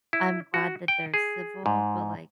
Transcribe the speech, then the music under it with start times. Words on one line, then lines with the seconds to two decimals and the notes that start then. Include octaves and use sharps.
I'm glad that they're civil, but, like,
0.13 E4
0.54 F#4
0.88 G5
1.14 G#4
1.66 G#2